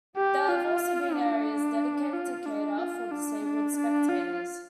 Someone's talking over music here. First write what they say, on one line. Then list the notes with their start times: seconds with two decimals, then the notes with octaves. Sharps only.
There have also been areas dedicated to cater for disabled spectators.
0.17 G4
0.49 F4
1.14 D4
2.13 F4
2.46 D4
2.79 F4
3.12 D4
3.44 D4
3.77 D4
4.09 F4